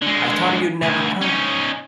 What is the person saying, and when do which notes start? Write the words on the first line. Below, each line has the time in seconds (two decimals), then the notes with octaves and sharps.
I thought you'd never come!
0.02 D3 G#3
0.82 D2 G#4
1.22 C#4 D#4